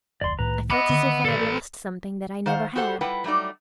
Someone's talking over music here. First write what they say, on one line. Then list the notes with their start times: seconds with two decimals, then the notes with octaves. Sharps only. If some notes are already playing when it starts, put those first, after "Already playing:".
I felt as if I had lost something that I never had.
0.21 F1 D2 D5 C6
0.39 C2 A2 D#3 B4 A#5
0.70 D#5 E5 F#5 B5 D6
0.89 D3 D#3
1.25 A4 B4 D5
2.46 D#3 C5 F5 F#5
2.76 F#4 G4 A4 C5 D5 F#5
3.01 G3 E4 F4 B4 F#5 G5
3.24 F#3 G3 A3 D#4 D5